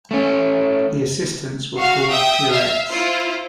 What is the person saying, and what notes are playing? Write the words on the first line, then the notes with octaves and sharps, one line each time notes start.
The assistants were called "Purettes".
A3 C#4
F#4 F5
E5 G5 D#6
E5 F5
E4 F4 C5